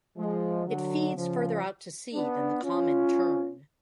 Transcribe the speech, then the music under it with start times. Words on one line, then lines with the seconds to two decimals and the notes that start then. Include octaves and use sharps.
It feeds further out to sea than the common tern.
0.17 F3 G#3
0.66 D3 F#3
1.15 C#3 F3
2.14 B3 D4
2.63 C#4 F4